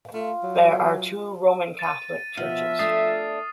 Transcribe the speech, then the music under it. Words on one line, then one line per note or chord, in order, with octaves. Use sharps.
There are two Roman Catholic churches.
A3 F4
F#3
A6 D#7
B2 F3 E5 F6
A3 D4 D#6 A6 C7